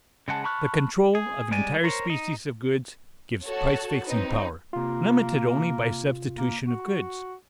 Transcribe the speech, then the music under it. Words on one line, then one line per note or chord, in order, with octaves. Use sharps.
The control of an entire species of goods gives price-fixing power, limited only by substitution of goods.
C#3 G#3 F#5 A5
A5 B5 C#6 F6 F#6
G#4
G3 G#3 D5 G#5
A#4 C5 C#5
D#4
F#4 A4 C#5 A5
C4 D#4 B4 C#5
C3 A#3 F4
A#3
F#4